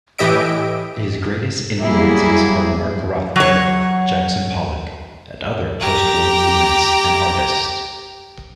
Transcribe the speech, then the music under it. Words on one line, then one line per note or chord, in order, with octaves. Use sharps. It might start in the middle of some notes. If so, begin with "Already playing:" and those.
His greatest influences are Mark Rothko, Jackson Pollock, and other post-war movements and artists.
A2 E3 G4 D#5 E5 D7
F#3 G3 A#3 E4 G#4
F#3 C#5
G4 A#5